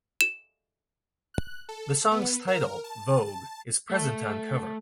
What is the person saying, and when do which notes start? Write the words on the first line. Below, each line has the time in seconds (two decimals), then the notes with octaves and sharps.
The song's title, "Vogue", is present on cover.
0.21 E7
1.34 F#6
1.69 A4
2.11 B3
2.48 A#4
2.84 A5
3.26 A5
3.90 A3 A4